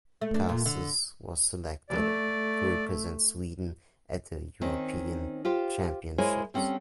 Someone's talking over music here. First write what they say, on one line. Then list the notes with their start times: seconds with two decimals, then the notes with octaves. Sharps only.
Castles was selected to represent Sweden at the European Championships.
0.21 A3
0.34 D4
0.49 A#2
0.66 D3
1.89 A3 D5
4.61 D#3 C4 C#4 D#4
5.45 F4 G4 C5
6.18 G#3 E4 A#4 C5 C#5 G#5
6.54 G3 C4 C#4 A4 F#5